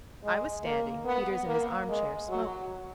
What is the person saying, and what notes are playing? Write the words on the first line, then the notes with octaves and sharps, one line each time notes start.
I was standing; Peters in his arm-chair, smoking.
G#3
A#3
B3
A#3
G#3
F#3